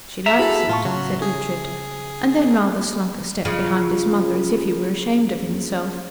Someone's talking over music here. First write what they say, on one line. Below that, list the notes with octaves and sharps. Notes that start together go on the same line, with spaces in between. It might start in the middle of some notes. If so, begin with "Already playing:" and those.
"She likes it," said Ughtred, and then rather slunk a step behind his mother, as if he were ashamed of himself.
E5 A#5
E4 F#4 G#4 A4 B5
A2 F4 A5 C#6
C#3 F#3
G#4
C#3 F3